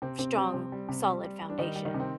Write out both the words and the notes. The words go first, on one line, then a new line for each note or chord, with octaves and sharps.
strong, solid foundation.
C3 C4
C3 C4
G3 C4
C3
G3
C3
G3
G3
G3
D4
D#3 G3 D#4
G3
D#3 D#4
C3
C4